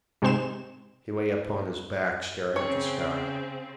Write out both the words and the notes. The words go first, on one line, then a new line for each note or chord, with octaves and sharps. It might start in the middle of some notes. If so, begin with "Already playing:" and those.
He lay upon his back staring at the sky.
G#2 C3 G#3 C4 C6 E7
C#3 C4 C#5